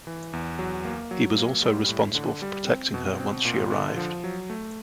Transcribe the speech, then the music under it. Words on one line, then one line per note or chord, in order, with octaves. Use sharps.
He was also responsible for protecting her once she arrived.
E3
E2
F#3
A#3
F#3
A#3
G3
A2
D3
G3
C4
B2
C4
A#2
D3
F3
F#3
A3